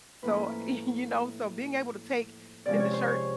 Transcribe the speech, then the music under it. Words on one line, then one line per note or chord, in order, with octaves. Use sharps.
So, y you know, so being able to take did the shirt
A2 F3 A#3 C#4 B4
C3 F3 G#3 C#4 D5
C#5
C5
C#5